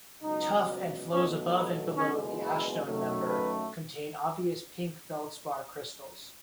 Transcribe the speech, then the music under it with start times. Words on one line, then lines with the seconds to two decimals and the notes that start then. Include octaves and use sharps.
Tuff and flows above and below the ashstone member contain obvious pink feldspar crystals.
0.23 C#2 B2 F#3 D#4
1.10 B1 B2 F#3 A3 C#4
1.53 B3
1.96 F#1 E2 B2 G#3 C#4
2.39 E4
2.83 F#2 D#3 F#3 A3
3.26 B4